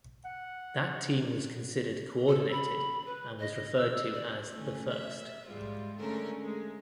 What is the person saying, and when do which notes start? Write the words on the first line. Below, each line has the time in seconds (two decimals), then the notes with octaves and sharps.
That team was considered coordinated and was referred to as "the first".
0.25 F#5
2.28 A4
2.52 B5
3.06 B4
3.40 D#5
3.77 E6
4.14 D5
4.51 A3 C#4
4.89 E5
5.46 G#2 G3 G#3 F4
5.96 D3 G#3 A3 C#4 A#4
6.43 G#3